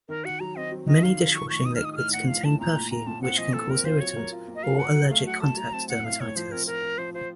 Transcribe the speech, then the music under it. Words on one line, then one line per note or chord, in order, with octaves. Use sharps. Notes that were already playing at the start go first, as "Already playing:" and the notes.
Many dishwashing liquids contain perfume which can cause irritant or allergic contact dermatitis.
D#3 A#4
F#4 F#5
F#3 A#5
C4 D#5
F#3
D#3 D#5
F#3 F5
D#3
F3 C#6
A2 C#6
D#4 D#6
F6
D#4 D#6
D#6
A2 F6
A2 F#5
F3 F5
A2 A5
A#2 A#5
A#2
A#2 A#5
A#2 A5
C4 F#5
F3 D#5
A#2 A4
C4 A#4
F4 C5
F#3 C#5
A#4
F4
A#3
D#5
F#3 F5
A#4 F#5
F#3
A3 F5
F#3 F#5
A3 A5
F#3 A#5
C4 A5
A2 F#5
A2 F5
A2 C#5
F3 C5
C4 A#4
F3 A#4
F3
F3 C5
F4 C5